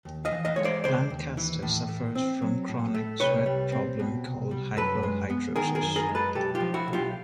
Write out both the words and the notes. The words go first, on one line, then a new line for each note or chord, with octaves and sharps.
Lancaster suffers from chronic sweat problem called hyperhidrosis.
D#2
D#5 F5
E3
D#5 F5
G#3 C#5
C5 D5
C#3 C5 D5
D#2
E3
A2
A3
C4
F#3
A2
A3
C2 B4 C#5
G3
C4
B2
C2
G3
F#2 A4 B4
G#3
B3
D#3 G#4 A#4
G#4 A#4
F#2
G#4 A#4
G#3
A4 B4
B1 G4 A4
F4 G4
F3
E4 F#4
B1
F4 G4